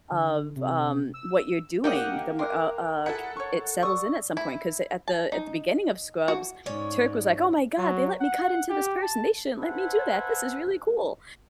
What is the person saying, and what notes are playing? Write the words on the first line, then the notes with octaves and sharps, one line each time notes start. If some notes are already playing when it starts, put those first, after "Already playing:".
of, um, what you're doing, the more uh uh, k it settles in at some point, 'cause at the at the beginning of Scrubs, Turk was like, "Oh my god, they let me cut into this person, they shouldn't let me do that. This is really cool,"
D3
C3
E6
A#3 D4 G4 D#5 F#5 G5 D6 C#7
A#4 G5 C6 D6 F#6
E4 G#4 A4 F#5
C#5 C#6
D5 C#6 D#6 E6
E4
A5
D#4
F#4
G#2 C#4 C#5 D5
F#3
F#5
G4
A5
A4 B4 C5 E5 F#5 G#5